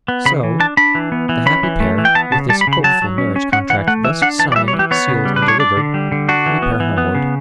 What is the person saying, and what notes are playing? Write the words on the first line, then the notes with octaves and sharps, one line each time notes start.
So, the happy pair, with this hopeful marriage contract thus signed, sealed, and delivered, repair homeward.
B3
C#3 B5
E3
D4 A5
D4 B5
E3
B3
E3
C#4 B5
E3
A3
E3
G5
B3 A5
C#3 A5
G3 A5
B5
C#3
B5
F#3 A5
F#3
C#4
C#4
C#4 F#5
E3 F#5
A3 F#5
E3 E5
D4 F#5
E3 A5
D5
G3 E5
C#5
E3
G4
B3 C#5
C#3
G3
B4
D4
C#5
D4 D5
D3
G3
D3
D4 F#4
E3
B3
E3
B3
C#3